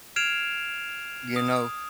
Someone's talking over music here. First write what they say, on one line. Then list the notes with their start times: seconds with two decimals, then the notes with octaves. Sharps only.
you know,
0.16 F6 G#6 C7 D7 E7 F7
1.36 D#6